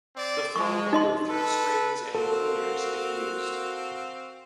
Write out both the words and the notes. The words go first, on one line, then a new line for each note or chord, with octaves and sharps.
The flow may go through screens and cleaners, if used.
C4 D5
G#3 C#6
D#4 D#5 C6
A4 B4
C4 F#4 A4 A#4 F5 A5 C6